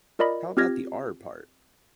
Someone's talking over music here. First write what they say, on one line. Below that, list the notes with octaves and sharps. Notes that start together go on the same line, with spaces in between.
How about the R part?
F4 A#4 D5 D#5 B5
C4 F4 G4 F6 G#6 A#6